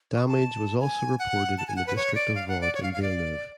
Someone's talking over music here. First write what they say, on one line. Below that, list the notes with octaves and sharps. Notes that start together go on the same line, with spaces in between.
Damage was also reported in the district of Vaud in Villeneuve.
C#6
A5
G#5
F#5
A5
G#5
F#5
B4
C#5
D5
F5
F#5
D5
C#5
F5
F5
D5